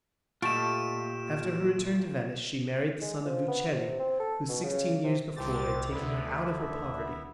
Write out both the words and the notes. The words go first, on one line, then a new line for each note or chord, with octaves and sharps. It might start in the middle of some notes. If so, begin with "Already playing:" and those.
After her return to Venice she married the son of the Uccelli, who sixteen years before had taken her out of her poverty.
A#2 A3 F4 G4 D#5 D7 E7
G#3
F3
B3
C3
C4
A4
B2
C#3
C3
C2 C3 C4 G4 A6
D2 D3 B3 E4 E5